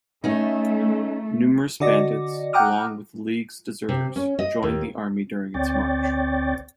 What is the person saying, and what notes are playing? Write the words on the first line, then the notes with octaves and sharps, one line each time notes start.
Numerous bandits, along with the League's deserters, joined the army during its march.
A3 C#4 D#4
D3 F#4 D5 D#5 A#6
F#5 G5 A#5 D6 D#6 F6
C3
C#4
D#5
D#2
D2 C4 C#5 D5 G5 A6